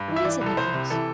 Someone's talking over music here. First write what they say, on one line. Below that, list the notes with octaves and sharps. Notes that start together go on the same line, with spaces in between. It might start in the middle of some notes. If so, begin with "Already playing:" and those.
"What is it, Nicholas?"
Already playing: G2
E3
E5
E3 D5
C2
A4
C2 C5
C3
E3 A4